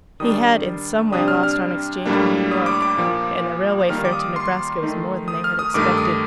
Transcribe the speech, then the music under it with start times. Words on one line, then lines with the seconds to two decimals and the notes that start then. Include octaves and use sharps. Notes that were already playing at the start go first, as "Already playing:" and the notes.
He had in some way lost on exchange in New York, and the railway fare to Nebraska was more than they had expected.
0.20 D#3 G3 D4 D#6
1.12 C3 G3 D4 D#6
1.28 F6
1.43 F6
2.05 A2 G3 A#3 D4
2.51 D#6
2.66 D6
2.82 D6
2.97 A#2 F3 A#3
3.89 D#3 G3 A#3 F6
4.05 D6
4.13 D#6
4.36 C6
4.82 D#3 A3 D#4
5.28 D#6
5.44 F6
5.59 D#6
5.74 G2 D#3 A3 D6
5.97 D#6